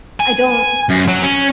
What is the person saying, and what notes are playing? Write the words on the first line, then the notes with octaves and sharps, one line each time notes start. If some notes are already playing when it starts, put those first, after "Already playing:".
I don't
G#5
F#2
F#3
C#4